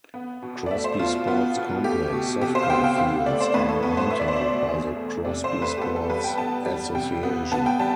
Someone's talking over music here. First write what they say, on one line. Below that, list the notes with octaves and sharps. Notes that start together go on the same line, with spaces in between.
Crosby Sports Complex softball fields are maintained by the Crosby Sports Association.
B3
B2
D5
A3 E5
C5
B2 F4
B3 F4
B2
A3 G4
B2
C3 G4
C5
F5
B3 G5
G5
C3 F5
A3 D5
C5
A2 B4
A4
B3 B4
C5
B3 E5
D5
C5
B2 D5
E2
A3
C3 D5
C5
A3
B4
G4
B3 A4
A4
G3 B4
G5
B3 A5
G3
C3 G5
B3
B3 A5
G5
G3 A5